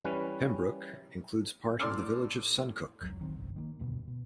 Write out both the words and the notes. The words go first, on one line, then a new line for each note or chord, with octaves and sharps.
Pembroke includes part of the village of Suncook.
E3 G3 C#4 B4
A2 D5 C6 D6 E6 F6
F1 C#2 F#3
A1 D#3 C4
G1 C2
D#3 G#3 A#3
E1 D2 G2 B2
B2